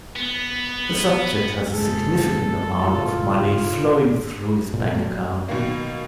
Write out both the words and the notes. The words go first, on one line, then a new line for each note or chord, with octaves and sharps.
The subject has a significant amount of money flowing through his bank account.
B3
F#1 G#3 G#4 A4
A2 C#3 F4
A#2
F#3 A3
B2 D#3 A#3